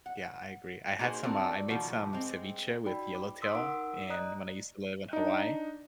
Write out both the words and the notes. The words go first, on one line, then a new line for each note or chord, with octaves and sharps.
Yeah, I agree. I had some uh, I made some ceviche with yellowtail in when I used to live in Hawaii,
F#5
A#3 D#4 F#4 G#4 A#4 C5
C4 D4 F4 F#4 A4 A#4
B2 D#3 F3 A3 F#4 G4
G#3 C4
D#4 F#4 D5 G5 B5
D6
C6 D#6 E6 B6
D#4 A#4 F#5 D6 E6 D7
D5 D#5 A#5 D#6 F#6
D4 D#4